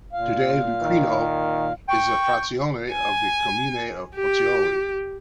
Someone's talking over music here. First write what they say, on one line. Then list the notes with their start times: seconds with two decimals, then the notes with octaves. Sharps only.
Today Lucrino is a "frazione" of the "comune" of Pozzuoli.
0.13 A#2 F5
0.82 D#3
1.89 G5 C#6
2.92 G#5
4.15 G4